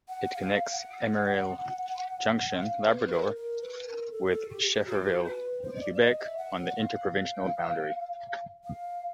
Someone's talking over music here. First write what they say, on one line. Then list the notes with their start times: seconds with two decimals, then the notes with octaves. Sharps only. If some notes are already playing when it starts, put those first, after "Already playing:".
It connects Emeril Junction, Labrador with Schefferville, Quebec on the interprovincial boundary.
0.08 F#5
0.34 F5
0.65 F5
0.72 F#5
2.60 F5
2.85 B4
3.07 B4
3.11 A#4
3.36 A#4
3.61 B4
3.86 A#4
4.11 A4
4.26 A#4
4.31 A4
4.49 G4
4.61 G#4
4.69 G4
4.87 F#4
5.25 B4
5.62 C5
5.76 D#5
5.81 D5
5.94 D5
6.00 D#5
6.18 E5
6.37 F#5
6.76 F5
8.65 F5